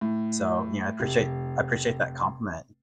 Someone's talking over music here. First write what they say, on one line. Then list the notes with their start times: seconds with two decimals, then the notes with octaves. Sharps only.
so, you know, I appreciate I appreciate that compliment.
0.01 A2
1.00 F1